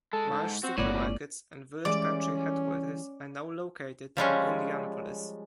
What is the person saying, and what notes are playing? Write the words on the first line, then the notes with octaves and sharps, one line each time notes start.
Marsh Supermarkets and Village Pantry headquarters are now located in Indianapolis.
G#3 A4
F2 G#2
C4 F#4
G1 A2 A#3 F#4 B4 C#5 D5
C#4
E3 G3 G#3 C#4 D5
F3 G3 G#3 C#4